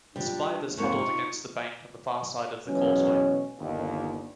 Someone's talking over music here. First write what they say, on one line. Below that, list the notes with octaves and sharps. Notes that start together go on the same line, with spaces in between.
The survivors huddled against the bank on the far side of the causeway.
G3 D4 F4
F2 G#2 A#3 F4 C#6
D#4
B2 E3 F#3 G#3 C#4
G1 D#2